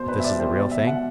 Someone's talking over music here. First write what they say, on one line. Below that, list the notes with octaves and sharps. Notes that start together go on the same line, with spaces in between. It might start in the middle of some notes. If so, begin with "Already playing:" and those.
"But this is the real thing?"
Already playing: B2 C5
B4
B2
E5
D5
G3
C5
B2 D5
E5
B2
F#5